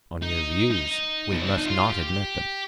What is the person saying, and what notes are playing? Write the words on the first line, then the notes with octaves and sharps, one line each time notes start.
On your views, we must not admit them.
D#4
D#4
B3
C4
D4
D#4
F4
G4